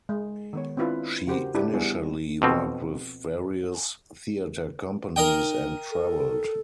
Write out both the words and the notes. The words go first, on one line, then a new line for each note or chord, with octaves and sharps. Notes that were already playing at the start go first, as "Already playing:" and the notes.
She initially worked with various theatre companies, and travelled.
G#3
D#3 B3 C#5
C4 D4 E4 F4 B4
C#3 F#4 G4 A#4 C5
D4 E4 G4
G3 B3 E4 G#4
F2 B2 C4
D#4 A#4 D#5 G5
A4